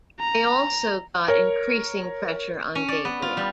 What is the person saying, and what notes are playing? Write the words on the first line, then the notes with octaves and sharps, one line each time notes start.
They also got increasing pressure on Gabriel.
A#5
A#4 C#5
C#4
D5
B3
F4
G3